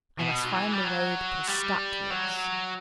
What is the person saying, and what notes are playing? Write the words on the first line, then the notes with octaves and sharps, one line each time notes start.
I must find a way to put a stop to this.'
B2
F#3
E3
G3
F#3
G3
F#3